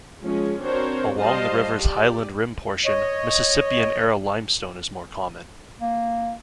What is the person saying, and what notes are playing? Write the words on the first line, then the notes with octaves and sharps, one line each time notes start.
Along the river's Highland Rim portion, Mississippian-era limestone is more common.
F3 G#3 C#4
C4 D4 F#4 A#4 C5 C#5
G3 C5 D#5 F5 A5 C6
G4 D5
C#5 D#5
A#3